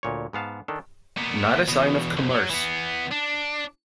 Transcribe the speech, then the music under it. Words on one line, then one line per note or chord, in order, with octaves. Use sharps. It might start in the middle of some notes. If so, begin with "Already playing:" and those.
Not a sign of commerce!
D2 A#2 C#5
G#2 B3 F5 A5
D#3 D4 A4
A#2 B3
E2 B2
C2 F2
F#3
E3 B3
D4